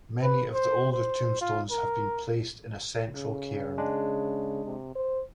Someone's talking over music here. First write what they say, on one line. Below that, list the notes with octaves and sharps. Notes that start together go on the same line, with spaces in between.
Many of the older tombstones have been placed in a central cairn.
B4
C5
C5
F4
A#4
C#3
G#3 D4
C3
C5